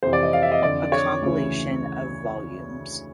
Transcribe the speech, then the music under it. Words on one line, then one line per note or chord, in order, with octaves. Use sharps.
A compilation of vols.
F2 C3 E3 C5
D5
D#5
F5
E5
D#5
F2 D3 D5
C#5
D2 C#3 E3